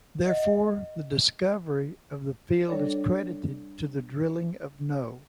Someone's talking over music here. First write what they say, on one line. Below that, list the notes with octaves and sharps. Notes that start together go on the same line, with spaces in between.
Therefore, the discovery of the field is credited to the drilling of No.
D#5 E5 F#5
G3 D4 A4 C#5 D5